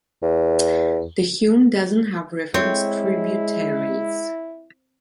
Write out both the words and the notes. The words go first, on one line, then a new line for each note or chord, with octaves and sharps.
The Hume doesn’t have referenced tributaries.
E2
G#3 C4 E4 C#5